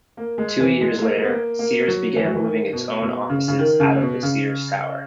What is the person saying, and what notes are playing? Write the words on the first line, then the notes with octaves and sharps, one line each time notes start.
Two years later, Sears began moving its own offices out of the Sears Tower.
A#3
G#3
E3
G#3
A#3
B3
A#3
A#3
F#3
E3
F#3
E3
D#3
B2
B2
C#3
C#3
D#3
C#3
B2
C#3